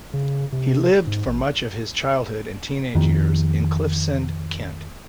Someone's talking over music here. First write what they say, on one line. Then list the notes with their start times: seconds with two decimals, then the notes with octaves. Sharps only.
He lived for much of his childhood and teenage years in Cliffsend, Kent.
0.14 C#3
0.52 C3
1.07 G#2
1.27 A1
2.95 F2 D#3